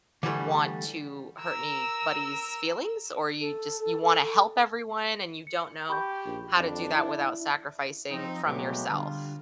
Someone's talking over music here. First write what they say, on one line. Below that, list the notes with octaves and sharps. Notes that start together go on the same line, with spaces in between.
want to hurt anybody's feelings? Or, you just you wanna help everyone and you don't know how to do that without sacrificing from yourself?
D3 E3 G3 A3
A#4 E6
A4
C#7
G4 B5 C#6 G6
A#1
F2 D4
E4
F3 C4 D#4
B2 F#3 G#3 A3 B3 G4
D3 G3 F4